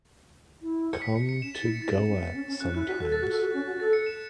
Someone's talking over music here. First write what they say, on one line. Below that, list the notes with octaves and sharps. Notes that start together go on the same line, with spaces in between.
Come to Goa sometimes.
E4
C#7
B6
C#7
C#7
C#4 E7
A6
E4
C#7
E4 A6
C#4
C#4
B3
C#4
C#4
C#4 F#6
E4 F#6
F#4 B6
A4 F#6
A4 A6
F#4 F#6
A4
F#4
C#4
F#4
A4 A6
C#7
E7